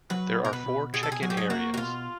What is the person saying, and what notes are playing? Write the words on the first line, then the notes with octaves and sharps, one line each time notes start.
There are four check-in areas.
F#3 B4
B2
A#4
B4
B2
B2 G#4
A4
G#4
F#3 G#4
G4
G#4
A#3 F#4
F#4
B2 F4